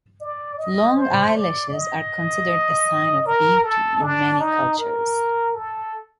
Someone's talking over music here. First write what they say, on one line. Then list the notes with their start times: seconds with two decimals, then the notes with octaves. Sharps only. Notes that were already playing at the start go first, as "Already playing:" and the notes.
Long eyelashes are considered a sign of beauty in many cultures.
0.21 D5
0.58 D#5
0.96 C5
1.36 D5
1.73 D#5
3.26 A#4
3.64 A4
4.02 D4
4.40 D#4
4.79 A#4
5.55 A4